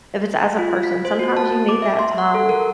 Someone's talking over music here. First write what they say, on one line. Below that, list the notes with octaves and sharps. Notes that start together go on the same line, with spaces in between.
If it's as a person, sometimes you need that time
F4
B6
C5
F#4
A5
D6
E5
C6
F#5
A4
A#4